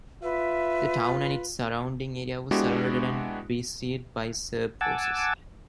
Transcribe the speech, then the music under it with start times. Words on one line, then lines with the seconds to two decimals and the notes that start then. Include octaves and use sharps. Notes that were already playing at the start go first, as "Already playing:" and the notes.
The town and its surrounding area was surrounded and besieged by Serb forces.
0.23 F4 B4 E5
2.51 G#3 B3 D4 E4 F#4 G4
4.81 F#5 G#5 A5 D6 E6